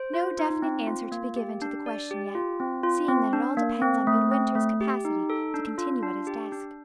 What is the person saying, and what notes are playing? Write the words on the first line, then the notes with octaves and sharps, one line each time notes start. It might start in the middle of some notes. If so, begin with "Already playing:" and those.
No definite answer to be given to the question yet, seeing that it all depends on Midwinter's capacity to continue at his desk.
Already playing: C5
F4
D#4
C4
F4
A#3
G4
D4
D5
G4
F4
C4
F4
C4
D4
A#3
C4
A3
C4
A3
G4
D#4
A4
D4
F4
D4
G4
D4